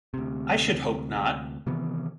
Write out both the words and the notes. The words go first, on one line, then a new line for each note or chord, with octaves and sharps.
I should hope not!
D2 C3
C3 D#3 E3 B3